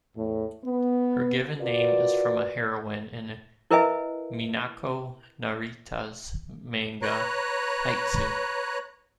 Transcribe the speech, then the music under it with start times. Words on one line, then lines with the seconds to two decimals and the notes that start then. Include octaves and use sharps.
Her given name is from a heroine in Minako Narita's manga "Aitsu".
0.16 E2 A2
0.63 B3
1.58 F4 F#4 A#4 B4 D5
3.71 E4 A#4 B4 D#5 E5 G#5
7.02 B4 C#5 A#5 F#6